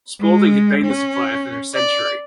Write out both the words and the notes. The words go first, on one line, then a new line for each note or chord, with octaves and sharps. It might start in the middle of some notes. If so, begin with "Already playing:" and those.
Spalding had been the supplier for a century.
G#3
C#4
D5